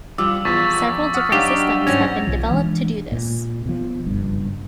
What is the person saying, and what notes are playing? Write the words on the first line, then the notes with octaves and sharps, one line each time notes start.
Several different systems have been developed to do this.
F3 G3 F4 D6 E6
E2 F3 C#6 A6 B6
F#5 D#6 F6
F#3 D4 D#4 G4 F5 D7
G#2 F#3 G3 C#4 G#6 A#6
B1 F3
E3 G#3 D4
A#2
B2 F3
F#1 G2